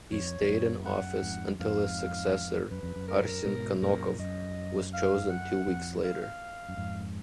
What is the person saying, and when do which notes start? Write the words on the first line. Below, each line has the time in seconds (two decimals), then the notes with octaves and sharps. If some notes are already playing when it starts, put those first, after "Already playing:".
He stayed in office until his successor, Arsen Kanokov was chosen two weeks later.
0.12 F2 C#5
0.41 F2
0.49 F#2
0.86 F#5
1.23 F2 G#2
1.60 F2 G#2 F5
2.71 F#2 B4
2.83 F2
2.96 F#2
3.08 A#4
3.44 G#2 B2
3.82 F#2 A#2 A#4
4.19 F#2 D#5
4.93 F5
5.30 F#5
5.67 F2
6.04 F5
6.22 F5
6.69 F#2
6.77 F2 G#2